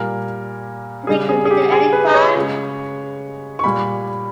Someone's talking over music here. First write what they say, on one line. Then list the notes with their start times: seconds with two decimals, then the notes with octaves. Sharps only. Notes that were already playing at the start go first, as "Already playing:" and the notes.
Had he committed any crime?
Already playing: A#2 G3 A#4
1.07 C#3 G3 G#4
1.29 G#4
1.45 G#4
1.51 G4
1.72 G#4
1.93 B4
2.09 D#5
2.15 C#5
2.35 C#3 G#3
3.59 C#6
3.64 A#2 G3 B5